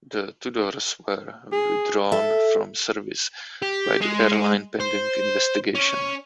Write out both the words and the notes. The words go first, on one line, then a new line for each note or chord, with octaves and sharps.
The Tudors were withdrawn from service by the airline pending investigation.
G#4
A4 E5
G4
G#3
C5
C#4